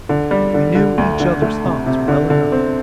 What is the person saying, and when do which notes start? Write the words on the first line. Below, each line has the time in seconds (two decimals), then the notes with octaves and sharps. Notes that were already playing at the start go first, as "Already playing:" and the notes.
We knew each others thoughts well enough.
0.09 D3
0.31 G3
0.54 D3
0.75 D3
0.98 D2
1.20 D3
1.42 A3
1.64 C3
1.86 C3
2.08 D3
2.30 D3
2.52 C4